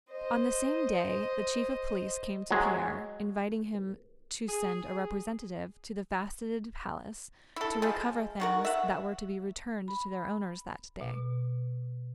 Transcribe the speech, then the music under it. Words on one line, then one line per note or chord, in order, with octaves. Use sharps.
On the same day the Chief of Police came to Pierre, inviting him to send a representative to the Faceted Palace to recover things that were to be returned to their owners that day.
C5 D#5
F#3 G#3
G#4
E4 A4
F3 G#3
D#3 F#4 A#4
E5 F#5
B5
B2